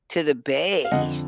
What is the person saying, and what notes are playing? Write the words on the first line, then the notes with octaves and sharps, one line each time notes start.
to the bay.
F5
F2 D3 D#5 F#5